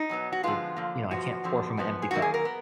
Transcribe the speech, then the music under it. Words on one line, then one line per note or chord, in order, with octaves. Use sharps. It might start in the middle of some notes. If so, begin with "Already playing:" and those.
it, you know I can't pour from a empty cup.
Already playing: D#4
B2 F#3 B3
F#4
D3 F3 G#3 B3 F4
D3 F3 A#3
F#2 F3 B3 F#4
F2 D3 F3
F#2 F3 B3
G#4
F#2 D#3 F#3 A#3 F#4
G#4
A#4
B3